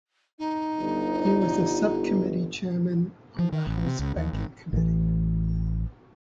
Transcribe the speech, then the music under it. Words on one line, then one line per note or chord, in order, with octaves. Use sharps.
He was a subcommittee chairman on the House Banking Committee.
D#4
G1
F3
D#3
A1
C3
C#2
D#2
G#1
A1 E3